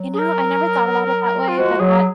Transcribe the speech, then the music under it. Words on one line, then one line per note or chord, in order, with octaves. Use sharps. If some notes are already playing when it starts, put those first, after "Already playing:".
You know, I never thought about it that way, but that
Already playing: F#3
G#4
A#4
F4
F3 G#3 F#4
F#3 G#4